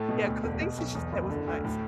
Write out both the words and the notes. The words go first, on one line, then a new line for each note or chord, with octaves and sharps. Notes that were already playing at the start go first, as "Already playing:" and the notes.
Yeah, ‘cause the things that she said wasn't nice.
Already playing: A2 A3
B2
D2
E1
B2
B1
E2
F#1
D3
D2
A2